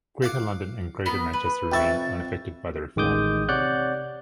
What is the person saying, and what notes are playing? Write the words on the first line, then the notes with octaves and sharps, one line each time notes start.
Greater London and Greater Manchester remained unaffected by the reform.
F5 F#5 D6
B3 A#4
B4
F2 E5 G5 C#6 A6
A1 D#3 G#3 D6 D#6 G6
C3 C#5 D5 F#5 F#6 G6